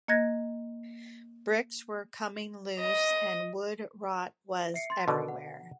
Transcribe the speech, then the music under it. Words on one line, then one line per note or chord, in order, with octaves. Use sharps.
Bricks were coming loose and wood rot was everywhere.
A#3 D#5 F#6 G#6 A#6
D#5
E5 C7 C#7
C6 A6
B2 D3
F#5